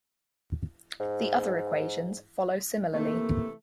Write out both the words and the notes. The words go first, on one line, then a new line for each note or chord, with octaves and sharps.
The other equations follow similarly.
G#2
C3 E3 A3 A#3